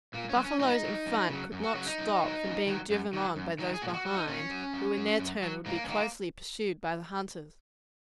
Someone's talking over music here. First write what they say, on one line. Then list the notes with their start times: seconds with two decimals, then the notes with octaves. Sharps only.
The buffaloes in front could not stop being driven on by those behind, who in their turn would be closely pursued by the hunters.
0.14 A#2 A#3
0.29 C#4
0.37 F#3
0.45 C#4
0.60 A#2 D#4
0.83 F#3
1.06 F#2
1.29 C#3 F#3
1.52 F#2
1.63 F#4
1.75 C#3 F#3 F#4
1.87 D#4
1.98 F#2
2.21 D#3 F#3
2.44 F#2
2.67 D#3 F#3
2.90 F#2
3.13 D#3 F#3
3.36 F#2
3.59 D#3 F#3
3.74 G#4
3.82 A#2 F#4
3.88 G#4
3.94 F#4
4.05 F#3
4.11 F#4
4.16 D#4
4.28 A#2 C#4
4.51 F#3
4.74 F#2
4.97 F#3
5.19 F#2
5.42 F#3
5.66 G#2 A#3
5.84 C#4
5.88 D#3 F#3 A#3